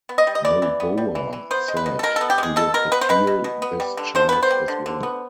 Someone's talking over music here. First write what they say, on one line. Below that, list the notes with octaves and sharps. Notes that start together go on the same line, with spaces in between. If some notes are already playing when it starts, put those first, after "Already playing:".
Noboa said he would appeal this charge as well.
B3
D#5
G3
D#5
E3 D5
E3
B3
G3
E3
E3
B3 C5
G#3
B4
B2
A4
B2 A#4
B3 A4
G4
G#3 G#4
B2 A4
B2 A#4
B3 B4
C5
G#3 B4
B2
B2
B3
G3
D3
D3 C5
B3 B4
C5
G3
D3
D3
B3